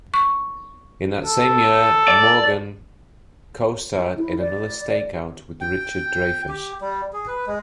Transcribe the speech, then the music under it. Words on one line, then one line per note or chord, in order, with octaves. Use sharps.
In that same year, Maughan co starred in "Another Stakeout" with Richard Dreyfuss.
C#6
A4
D5
E4
D5
G5
G4
G3
G#4
B4
G#3